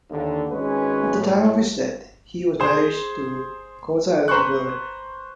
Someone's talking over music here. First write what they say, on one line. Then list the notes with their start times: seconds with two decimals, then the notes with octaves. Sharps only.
At the time of his death, he was married to Cora Elsie Bird.
0.11 D#2 D3
0.52 G#1 G#3 C#4 B4
1.18 A2
2.60 G#4 C5
4.28 B4 C5 A#5 C#6 F#6